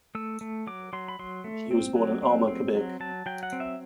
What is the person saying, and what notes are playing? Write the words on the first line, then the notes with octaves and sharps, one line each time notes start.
He was born in Alma, Quebec.
A3 E6
A3
F#3 D6
F#3 C6
B5
F#3 C6
A3
C4
F#3
C4
C4
F#3
F#3 A5
F#3 G5
F#5
C4
E5